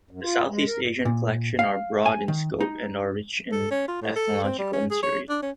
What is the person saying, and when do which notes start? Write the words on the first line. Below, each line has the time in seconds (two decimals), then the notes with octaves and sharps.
The Southeast Asian collections are broad in scope and are rich in ethnological material.
0.11 F#2
0.22 F4
0.48 G#3
0.67 A#4
1.05 A#2
1.59 F5
2.06 G#5
2.28 D#3
2.61 D#4
3.52 A4
3.71 C#4
3.88 F4
4.01 A2
4.16 A4
4.44 C4
4.58 G3
4.73 C#4
4.90 G#4
5.03 C#5
5.29 D4
5.42 C#4